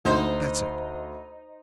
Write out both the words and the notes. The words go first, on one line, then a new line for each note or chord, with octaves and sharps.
"That's it!"
D2 D#4 C5